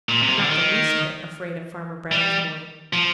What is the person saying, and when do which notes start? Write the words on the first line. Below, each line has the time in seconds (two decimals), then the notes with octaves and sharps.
I'm not the least bit afraid of Farmer Brown's boy.
0.09 A#2
0.23 C3
0.36 D3
0.50 D#3
2.12 G3
2.93 F3